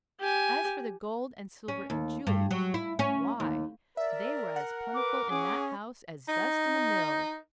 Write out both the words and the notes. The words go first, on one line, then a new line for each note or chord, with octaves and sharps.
As for the gold and silver and jewels--why, they were as plentiful in that house as dust in a mill!
G4 G#5
C#4
D#2
G2
F#3
E4
C#4
D#2
A#4 D5 E5
F#5
B4 D6
C#4 G#4
D#4